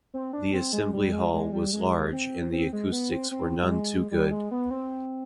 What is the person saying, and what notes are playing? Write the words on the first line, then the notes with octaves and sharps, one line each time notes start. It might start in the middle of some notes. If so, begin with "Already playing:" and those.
The assembly hall was large and the acoustics were none too good.
C4
D4
C4
G#3
G3
G#3
G#3
G3
G#3
C4
C4
G#3
B3
C4
C4
G3
G#3
G3
G#3
B3
C4